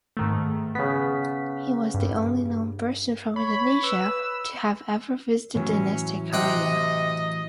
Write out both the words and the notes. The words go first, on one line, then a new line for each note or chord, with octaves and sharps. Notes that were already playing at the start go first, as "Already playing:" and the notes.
He was the only known person from Indonesia to have ever visited dynastic Korea.
G#2 D#3 A3
C#3 B3 B6
G2
C#5 B5
B4 E6
A2 E3 F#3 C#4
C3 D#5 F#5 G5